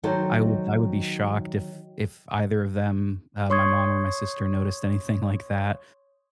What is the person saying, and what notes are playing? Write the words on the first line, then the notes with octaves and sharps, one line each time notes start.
I wo I would be shocked if if either of them, uh, my mom or my sister, noticed anything like that.
D#3 F#3 D#4 A4 C5
C#5 C6 C#6 D#6 G#6